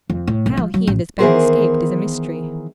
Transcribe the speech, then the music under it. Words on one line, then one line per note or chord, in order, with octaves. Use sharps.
How he and his band escaped is a mystery.
F2
A2
B1
F3
F#3
A1
D#3 E3 B3 G#4 A#4 C5